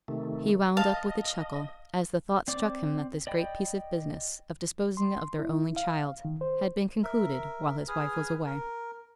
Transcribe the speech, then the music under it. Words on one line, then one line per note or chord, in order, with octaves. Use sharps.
He wound up with a chuckle, as the thought struck him that this great piece of business, of disposing of their only child, had been concluded while his wife was away.
C3 D#3 A3
D#5 F5 A5
C4 D5 D6
D5 D#5 G5 B5
C6
E4
F5
D#3
C5
A#4 E5
G#4 B4 G#5 D#6 F6
A#4